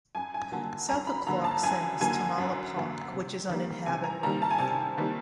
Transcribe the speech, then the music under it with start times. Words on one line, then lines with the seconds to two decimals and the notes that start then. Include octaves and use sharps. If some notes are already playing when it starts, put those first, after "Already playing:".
South of Clarkson is Tamala Park, which is uninhabited.
0.15 F#2 G#5
0.34 G#5
0.52 D3 F#3 A#3 A5
0.89 F#2 A#5
1.07 B5
1.27 D3 F#3 A#3 A#5
1.44 A5
1.63 F#2 G#5
2.00 D3 F#3 A#3 G#5
2.38 F#2
2.75 D3 F#3 A#3
3.12 C3
3.48 D#3 G3 A#3
3.86 C3 G#5
4.04 A#5
4.23 D#3 G3 A#3 A#5
4.42 A5
4.51 G#5
4.58 C3 A5
4.97 D#3 G3 A#3